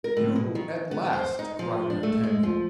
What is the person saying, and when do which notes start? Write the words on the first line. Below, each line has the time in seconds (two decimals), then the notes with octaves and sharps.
"You at last?" cried d'Artagnan.
0.04 A#4
0.17 A2
0.36 B2
0.55 D#3
0.91 B3
1.13 C5
1.39 D#4
1.59 F3
1.90 D4
2.03 A3
2.23 G#3
2.43 F3